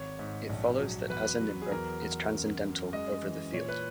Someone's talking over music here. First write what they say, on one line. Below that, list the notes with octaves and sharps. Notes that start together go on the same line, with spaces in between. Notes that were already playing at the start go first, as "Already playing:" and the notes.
It follows that as a nimber, is transcendental over the field.
Already playing: G#1 C#5
G#2
A#1
F#3
E2 B4
F#3
G#4
E2 A#4
E2
F#2
F#2
G#3 D#5
E3
A#2 C#5
B4